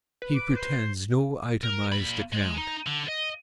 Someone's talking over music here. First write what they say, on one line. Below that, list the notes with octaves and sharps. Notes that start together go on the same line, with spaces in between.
He pretends no itemised account.
B4
D6
C5
A#4
A#2 B5
G#3
D#4
D3
D#5